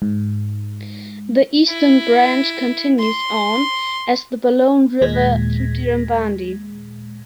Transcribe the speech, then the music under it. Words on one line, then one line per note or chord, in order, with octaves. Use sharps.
The eastern branch continues on as the Balonne River through Dirranbandi.
G#2
E4
C6
D#2 A#2 G#3 G#6 A#6 B6